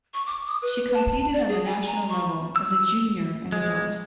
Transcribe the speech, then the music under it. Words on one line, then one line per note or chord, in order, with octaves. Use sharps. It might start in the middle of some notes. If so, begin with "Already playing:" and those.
She competed on the national level as a junior and adult.
C#6
D6
D#6
B4
A5
D5
G#4
G#5
A#5
C#6
E6
G#3